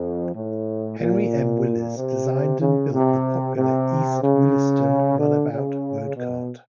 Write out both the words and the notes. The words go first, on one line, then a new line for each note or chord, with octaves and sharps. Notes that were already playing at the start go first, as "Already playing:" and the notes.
Henry M. Willis designed and built the popular East Williston Runabout Roadcart.
Already playing: F2
A2
A#2
C3
C#3
C3
C3
C#3
D3
C#3
B2